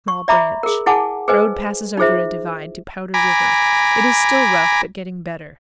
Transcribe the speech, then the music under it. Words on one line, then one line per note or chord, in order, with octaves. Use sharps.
Small Branch.--Road passes over a divide to "Powder River." It is still rough, but getting better.
C#6
D5 E5 A#5 B5 D6
G#4 A#4
E4 G#4 F#5 G#5 A5 D6
G#4 B4 C5 D#5 G#5
D#4 F4 G#4 C5 E5
G#5 A#5 B5 D6